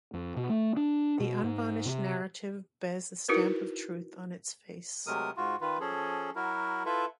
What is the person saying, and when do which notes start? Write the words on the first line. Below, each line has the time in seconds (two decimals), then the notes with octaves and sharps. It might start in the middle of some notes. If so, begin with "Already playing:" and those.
The unvarnished narrative bears the stamp of truth on its face.
0.14 F2
0.37 B2
0.49 A3
0.77 D4
1.20 B2
1.43 G#2
1.86 C3
3.28 D#4 E4 F#4 A#4 B4
5.07 C3 F#3 G#3 A3 A#4 D#6
5.37 G#2 F4 F#4
5.61 D#3 F4 B4
5.81 F3 C#4 G#4 A4
6.36 F#3 E4 F#4 A#4
6.86 E4 F4 A4 B4 E5